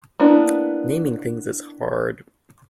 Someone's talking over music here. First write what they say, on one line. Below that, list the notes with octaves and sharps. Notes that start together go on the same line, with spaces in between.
Naming things is hard.
A#3 B3 D4 E4